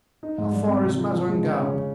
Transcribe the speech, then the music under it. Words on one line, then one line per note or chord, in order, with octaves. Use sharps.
"How far is Mazingarbe?"
D#4
G#2
G3
C4
C3
F3
F3
G#3
C#3
C#4
C#3